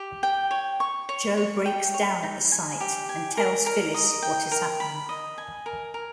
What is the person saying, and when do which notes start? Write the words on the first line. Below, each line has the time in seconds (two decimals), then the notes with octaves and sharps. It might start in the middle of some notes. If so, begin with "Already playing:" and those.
Joe breaks down at the sight and tells Phyllis what is happening.
Already playing: G4
0.23 G5
0.51 C#5
0.80 C#6
1.09 C#5
1.37 C#5
1.65 G5
1.94 C#5
2.23 D#4
2.52 G#5
2.81 G4
3.09 G#5
3.37 A#4
3.66 A#4
3.94 D#5
4.22 G5
4.52 A#4
4.80 B5
5.09 D#5
5.38 G#5
5.66 A#4
5.94 A#4